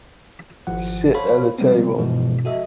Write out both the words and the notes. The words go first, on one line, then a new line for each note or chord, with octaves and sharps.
Sit at the table.
G#1 F3 F#5
A4 C5 C#5 F5 B5
C3 F3 G3 G#3 B3 C4
G2 B2 E3 F3 G#3
F#4 A4 D#5 E5